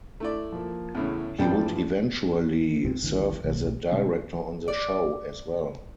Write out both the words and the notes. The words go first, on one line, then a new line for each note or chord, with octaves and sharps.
He would eventually serve as a director on the show, as well.
A3 E4 D5
F3 A#3
E2 A2 C#3 E4 F6
E2 G2 E3 F3 G3 G5
C2 G#2 B3 C4
G#1 D2 D3 E3
D1 B1 D#3
B2 D3 G#3 C#4
D5